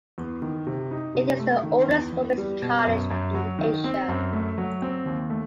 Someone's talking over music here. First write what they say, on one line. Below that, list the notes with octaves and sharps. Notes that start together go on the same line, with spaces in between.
It is the oldest women's college in Asia.
E2
D#3
C3
D#4
C3
A3
D#3
E2
E2
G3
B2
F#2
F#2
F#3
D#3
C4
F#2
A3
F#3
C4
D#2
A3